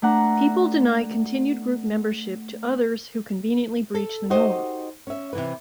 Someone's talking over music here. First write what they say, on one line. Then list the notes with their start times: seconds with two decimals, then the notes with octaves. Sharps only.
People deny continued group membership to others who conveniently breach the norm.
0.02 A3 D4 F#5 A#5
3.94 A4
4.30 D#4 F#4 G4 C5 D#5
5.07 C#4 E5
5.33 C3 E3 B4